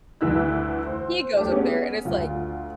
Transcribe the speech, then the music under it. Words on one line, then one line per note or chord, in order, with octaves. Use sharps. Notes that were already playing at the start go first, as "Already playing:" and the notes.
he goes up there, and it's, like,
D2 E3 E4 E6 F#6
C5
A3 D4 G4
B3 C#4 G#4
D2 F4